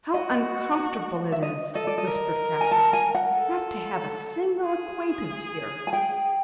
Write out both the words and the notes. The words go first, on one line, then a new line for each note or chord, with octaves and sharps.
"How uncomfortable it is," whispered Catherine, "not to have a single acquaintance here!"
F#4 D#5
E5
D#5
A4 D#5
D5
D#5
A#4
G#5
A5
G#5
F#5
A4
G#4
G#5
G5